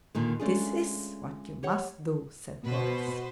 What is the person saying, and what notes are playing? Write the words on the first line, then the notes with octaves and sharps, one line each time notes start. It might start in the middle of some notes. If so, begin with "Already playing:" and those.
"This is what you must do," said Boris.
D#2 A#2 D3 D#3
G#3 A3 C#4 D4 F4 G#4
G4 C#5 F#5
B2 B4 C5